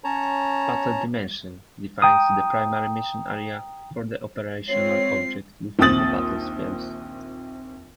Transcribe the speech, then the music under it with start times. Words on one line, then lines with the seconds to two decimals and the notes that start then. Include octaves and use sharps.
"Battle dimension" defines the primary mission area for the operational object within the battlespace.
0.04 C#4 C#5 A5 A#5
2.02 G5 A#5 D#6
4.68 G#3 C4 F4 C#5 C7
5.79 A#1 D#2 C4 D#6 A6 F#7